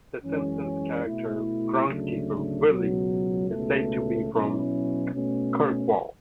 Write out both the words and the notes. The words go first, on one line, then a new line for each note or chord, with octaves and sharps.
"The Simpsons" character Groundskeeper Willie is said to be from Kirkwall.
F#2 E3 G#3 C#4
B2 A3 E4
D2 C#3 F#3 A3 D4
C#2 B2 F#3
C#2 B2 A3
B2 F#3 C#4 E4
B2 A3 C#4